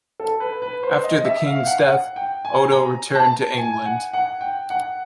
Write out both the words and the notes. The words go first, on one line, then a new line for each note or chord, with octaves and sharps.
After the king's death, Odo returned to England.
A4
B4
B4
C5
D#5
E5
F5
F#5
F#5
G5
G#5
A#5
A5
G#5
F#5
F#5
G5
F#5